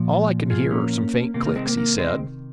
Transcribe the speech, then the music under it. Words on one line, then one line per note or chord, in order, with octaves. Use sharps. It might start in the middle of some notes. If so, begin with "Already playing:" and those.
"All I can hear are some faint clicks," he said.
Already playing: A#2 F3
F4 G#4
A#3 C#4
C3 D#3 A#3
A#3
G#3 C4
A#3
A#3
G#3 C4